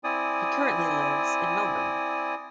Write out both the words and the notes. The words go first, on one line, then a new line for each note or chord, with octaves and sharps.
He currently lives in Melbourne.
C4 E4 D5 G#5 D#6